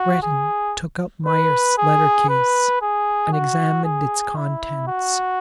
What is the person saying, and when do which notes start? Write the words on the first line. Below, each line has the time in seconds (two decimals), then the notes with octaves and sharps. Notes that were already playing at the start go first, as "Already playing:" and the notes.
Breton took up Myerst's letter-case and examined its contents.
Already playing: F#4
0.22 G#4
1.26 B4
1.78 G#4
2.29 B4
2.82 G#4
3.33 F#4
3.84 G#4
4.37 E4
4.87 F#4